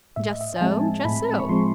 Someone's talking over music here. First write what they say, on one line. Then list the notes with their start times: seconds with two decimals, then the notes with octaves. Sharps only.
'Just so, just so.
0.16 A2 E5
0.28 D#5
0.41 E5
0.56 G#5
0.61 F3 G#3 C4 A5
1.05 A2 B5
1.40 C#6
1.49 F3 G#3 C4 C6